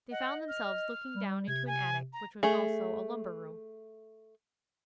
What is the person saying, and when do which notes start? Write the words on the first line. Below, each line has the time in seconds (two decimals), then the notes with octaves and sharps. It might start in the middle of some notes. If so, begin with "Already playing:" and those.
They found themselves looking down into an attic, which was also a lumber-room.
0.11 D#5 F#5
0.49 F6
1.14 G3
1.48 C3 G#6
1.67 G#5
2.13 A#5
2.43 A3 G#4